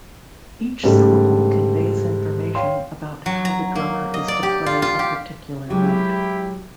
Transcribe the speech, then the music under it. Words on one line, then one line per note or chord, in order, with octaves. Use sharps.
Each syllable conveys information about how the drummer is to play a particular note.
G#2 C#3 G3 A3
C#5 F5 G5 C6
F#3
A#5
A#3
D#5
D5
G4
F4
F4
G4
F#3 G#3 E4 G4